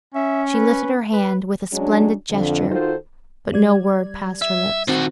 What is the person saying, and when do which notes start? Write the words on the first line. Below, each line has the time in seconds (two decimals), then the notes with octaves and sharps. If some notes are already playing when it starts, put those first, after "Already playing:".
She lifted her hand with a splendid gesture, but no word passed her lips.
0.14 C#4 E5
0.54 B4
1.13 B4
1.73 F#3 G#3 C#4 D4
2.30 F2 D3
2.70 D#3 D#4 F4 F#4 A4 C5
3.53 G3 D5 G#6
4.42 E5
4.88 D#3 C4 F#4